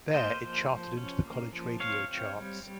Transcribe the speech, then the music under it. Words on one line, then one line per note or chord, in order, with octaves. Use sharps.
There it charted into the college radio charts.
A#3 C5 D#5
F3
F3
C#4
A#3
F3
C4 C#5 F5
C4
G3
G3